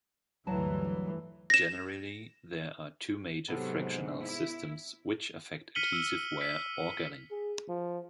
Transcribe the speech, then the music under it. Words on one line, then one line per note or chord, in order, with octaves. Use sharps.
Generally there are two major frictional systems which affect adhesive wear or galling.
D2 G2 E3 F#3 A5
A#6 E7
G#2 C3 F#3 B3 A4
E4
F6 B6 C#7 D#7 F#7 G7
E6
B6
G#4
F3